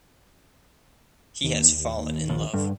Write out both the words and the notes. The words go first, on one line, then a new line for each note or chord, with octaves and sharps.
He has fallen in love.
D#2
A#1 D#2
G2 D3